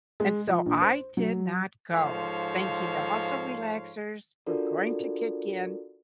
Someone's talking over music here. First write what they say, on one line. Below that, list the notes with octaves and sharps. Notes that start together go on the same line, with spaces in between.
and so I did not go, thinking the muscle relaxers were going to kick in
G#3
F3
A#1
C5
F#3
G#2 F3 A4 C5 C#5 F5
D4 F4 F#4 A4 A#4 D5